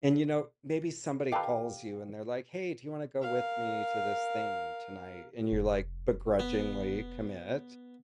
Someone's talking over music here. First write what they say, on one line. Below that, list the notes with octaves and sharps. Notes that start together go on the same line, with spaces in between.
and, you know, maybe somebody calls you and they're like, "Hey, do you wanna go with me to this thing tonight?" and you're, like, begrudgingly commit,
D#3 G4 A4 B4 F5 G5
A#4 F5
F1
B3